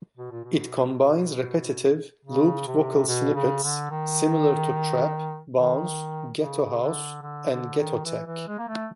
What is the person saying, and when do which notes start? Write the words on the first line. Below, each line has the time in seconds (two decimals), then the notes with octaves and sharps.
It combines repetitive, looped vocal snippets similar to trap, bounce, ghetto house and ghettotech.
0.17 B2
0.31 A#2
0.44 B2
2.25 C#3
2.67 C3
3.07 B2
3.35 C#3
3.63 D3
3.90 D#3
5.57 D#3
6.39 C#3
6.81 D3
7.22 D3
7.50 D3
7.78 D#3
8.05 E3
8.26 E3
8.47 G#3
8.58 A#3
8.68 A3